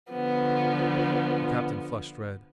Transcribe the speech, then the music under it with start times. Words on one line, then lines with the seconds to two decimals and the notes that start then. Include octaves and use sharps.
The captain flushed red.
0.12 D3 F3 B3